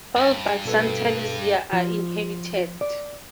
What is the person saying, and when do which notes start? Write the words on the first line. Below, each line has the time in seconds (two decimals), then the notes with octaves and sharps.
All but Santa Luzia are inhabited.
0.17 G2
0.65 B2 A4 B4
1.73 F3
2.81 D5